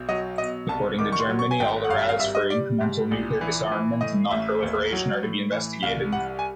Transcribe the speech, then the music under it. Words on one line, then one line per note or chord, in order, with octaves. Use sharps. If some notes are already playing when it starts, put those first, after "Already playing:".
According to Germany all the routes for incremental nuclear disarmament and non-proliferation are to be investigated.
Already playing: B1
F#3 D#5
B2 D#5
C2 A5
D#3 D6
C#6
C6
F#3
C#6
G#5
G#1 G5
F#5
G2 F5
F5
G3 E5
D#5
G3 D5
G#2
A#1
E3
E3
A2 D#5
A1 E5
D#2
F#3
A2
E3
C2 F5
G3 F#5
G#5